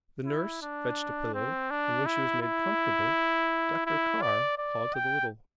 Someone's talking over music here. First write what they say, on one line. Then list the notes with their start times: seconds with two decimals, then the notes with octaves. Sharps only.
The nurse fetched a pillow, and when she was made comfortable, Dr. Carr called to the little ones.
0.26 E4
0.62 D4
1.35 C4
1.71 D4
2.06 E4
2.42 E4
3.86 E4
4.22 D5
4.58 D5
4.94 G5